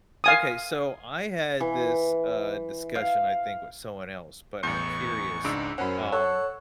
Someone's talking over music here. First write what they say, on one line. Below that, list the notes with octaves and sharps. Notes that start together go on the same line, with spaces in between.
Okay. So I had this, uh, discussion, I think, with someone else, but I'm curious, um
F5 G#5 D#6
E3
F5
A1 E2 C#6 G6
C#2 G#2 D4 E6 D7
F#2 C#4 A#4 C5 F#5 B5
A4 C#5 F#5 E6